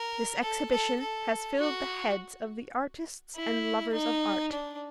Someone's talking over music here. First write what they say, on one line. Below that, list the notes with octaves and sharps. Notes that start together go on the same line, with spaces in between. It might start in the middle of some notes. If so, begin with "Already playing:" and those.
This Exhibition has filled the heads of the Artists and lovers of art.
Already playing: A#4
A4
A4
A4
F#4
E4
D#4
D4